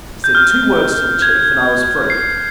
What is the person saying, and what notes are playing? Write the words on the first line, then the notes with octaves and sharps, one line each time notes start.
"He said two words to the chief and I was free."
G6
F6
G#6
C7